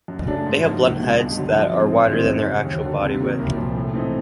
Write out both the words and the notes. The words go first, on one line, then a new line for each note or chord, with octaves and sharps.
They have blunt heads that are wider than their actual body width.
F#2
C#3 F#3 A3 D4
G#2
F3 A#3 D#4 F#4
C#2
B2 G#3
G2
D3 F#3
F3
G#3 C4
G#2
D#3 G3 C4
F#2
C#3 F#3
D#2
D3 F#3
C3
D#3 F#3 A#3
C2
A#2 F3
A2
E3 A3 C4 D#4